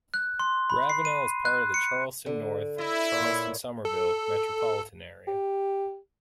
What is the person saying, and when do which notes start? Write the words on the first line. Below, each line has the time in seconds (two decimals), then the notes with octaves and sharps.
Ravenel is part of the Charleston-North Charleston-Summerville metropolitan area.
0.14 F#6
0.39 C6
0.70 B5
0.90 C7
1.05 D#7
1.45 F#6
1.74 C#7
2.26 D3
2.78 E4 D#5
3.20 A#2 C#5
3.85 A4
5.27 G4